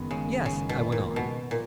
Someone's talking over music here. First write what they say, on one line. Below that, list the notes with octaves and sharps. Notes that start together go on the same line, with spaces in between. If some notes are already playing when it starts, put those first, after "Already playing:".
"Yes," I went on.
Already playing: F#1 F#2 D#3 G#3 B3
C#3
C#3
B2
A#2
B2
A#2